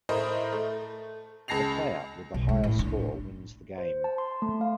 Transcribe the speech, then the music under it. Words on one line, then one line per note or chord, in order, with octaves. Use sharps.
The player with the higher score wins the game.
A2 A#4 C5 D#5
A3
C#2 A5 A#6 C7 F7
B1
G#3
A2
D4
C5
A5
C6
A3
F5